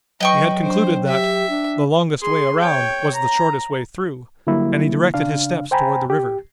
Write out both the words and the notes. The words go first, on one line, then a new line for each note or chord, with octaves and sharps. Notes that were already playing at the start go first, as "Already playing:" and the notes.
He had concluded that "the longest way around was the shortest way through," and he directed his steps toward the river.
F#3 B4 D#5 G5 C#6
D4 C5
G4 E5
D4
G#4 C6
C#5 G5
A#5
D3 F#3 G3 A#3 E4
C#3 D4 F5
C5 G5 G#5 A#5 B5
G4